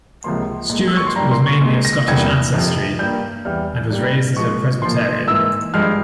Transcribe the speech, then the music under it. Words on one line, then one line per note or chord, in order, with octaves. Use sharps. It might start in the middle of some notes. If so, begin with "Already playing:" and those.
Stewart was mainly of Scottish ancestry and was raised as a Presbyterian.
C#2 C3 F3 A#3 C6
A#2 G#3
E6
C#6
C6
G2 G3 A#3 A#5
C6
C#6
A#2 G#3
A#6
E2 C3 G3 A#3 G#6
F2 C3 F3
G2 G3 A#3 G6
E2 E3 G3 F6
G2 G3 A#3
A#2 F3 G#3 C#6
A#2 F3 A#3 C6
G#2 E3 A#3 E6
G2 F3 G#3 F6